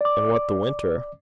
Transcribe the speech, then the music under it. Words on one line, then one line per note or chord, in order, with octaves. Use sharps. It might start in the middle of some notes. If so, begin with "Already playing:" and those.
And what the winter?
D5 D6